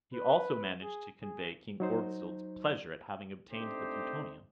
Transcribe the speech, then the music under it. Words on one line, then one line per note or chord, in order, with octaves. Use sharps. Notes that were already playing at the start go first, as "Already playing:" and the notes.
He also managed to convey King Orgzild's pleasure at having obtained the plutonium.
B4
G#4
G#4
F#3 D#4 C5
A3 C4 D4 D#4 G4 C5